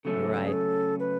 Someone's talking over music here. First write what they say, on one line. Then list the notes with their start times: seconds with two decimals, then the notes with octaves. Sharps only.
You're right,
0.05 C#3 F#3 A3 C#4 A4
0.47 G#4
0.52 A4
1.00 B4